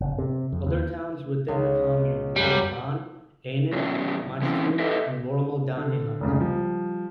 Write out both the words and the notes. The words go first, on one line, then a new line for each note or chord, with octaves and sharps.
Other towns within the commune include Ahn, Ehnen, Machtum, and Wormeldange-Haut.
F#1
C3
F2
D#2
C#2
F#2 G3 B3 G#5
F#2 B2 F#3 C#4 D4 E4
E3 C4 C#4 E4
G4 A4 B4 D#5 E5
D3
F1 C#2 C#3
F3 G3